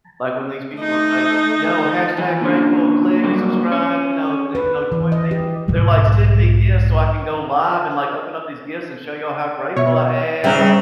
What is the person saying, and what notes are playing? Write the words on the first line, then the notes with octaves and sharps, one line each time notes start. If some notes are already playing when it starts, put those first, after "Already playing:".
like, when these people are like, "Yo, hashtag grateful. Click, subscribe!" You know, eh, you know, "Join me," they're like, "Send me gifts so I can go live and, like, open up these gifts and show y'all how grateful I am!"
A3 D#4
E3
A#2 D3 C#4
A2 D3 F#3 G3 A#3
C#4
B4
E3
D#5
G4
B1 G#2
B2 C#5 E5
C#3 G3 C4 E5 A#5